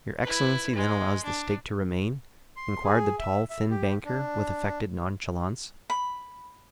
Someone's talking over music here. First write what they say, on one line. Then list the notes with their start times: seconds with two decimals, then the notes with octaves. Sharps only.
"Your excellency then allows the stake to remain?" inquired the tall, thin banker, with affected nonchalance.
0.22 E4 B4
0.76 G#3
1.25 D4
2.56 C6
2.84 G#4
3.19 E5
3.50 E5
3.71 G4
4.05 D4
5.90 B5